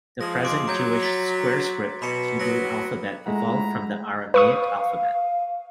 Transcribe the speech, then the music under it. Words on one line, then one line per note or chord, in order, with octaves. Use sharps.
The present Jewish "square-script" Hebrew alphabet evolved from the Aramaic alphabet.
F3 G#3 A#6
C6 D6 D7
F#3 A#5 G6 G#6
A6 B6
B2 B5 C#7
F#3 B3 A#6
A#2 G#3 A3 E4 F#5 A#5
B4 F5 C#6 D#6